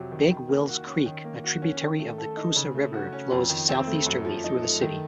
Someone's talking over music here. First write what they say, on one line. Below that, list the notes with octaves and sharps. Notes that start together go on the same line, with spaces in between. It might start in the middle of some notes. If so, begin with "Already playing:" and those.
Big Wills Creek, a tributary of the Coosa River, flows southeasterly through the city.
Already playing: F2 C3 F#3
D#3
D#3
A#3
F#4
C#4
D#3
A#3
F#4
C#4
D#3
A3
A4
D#4
C#3
A3
F#4
C#4
F2
D#3
C4
A3
F#2
F3
D#4
A3
D#3